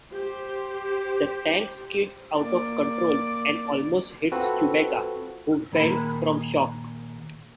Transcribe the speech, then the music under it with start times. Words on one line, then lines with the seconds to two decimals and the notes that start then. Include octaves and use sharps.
The tank skids out of control and almost hits Chewbacca, who faints from shock.
0.12 G4 C5
2.37 A#3 D5
4.32 C4 F4 F#4 A4 B4
5.72 A#2 D#3 A#3 G#4 D5 B5